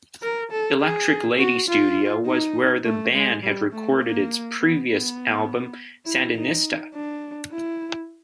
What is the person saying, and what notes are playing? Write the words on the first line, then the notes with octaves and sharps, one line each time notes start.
Electric Lady Studio was where the band had recorded its previous album Sandinista!
A#4
A4
G#4
F#4
F4
D#4
A3
G#3
G3
A3
A#3
B3
B3
E4
D#4
D4
E4